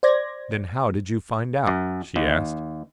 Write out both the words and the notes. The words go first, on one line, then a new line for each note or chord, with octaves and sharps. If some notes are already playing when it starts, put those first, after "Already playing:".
"Then how did you find out?" she asked.
C5 D5 G#6 A#6
F#2
D#2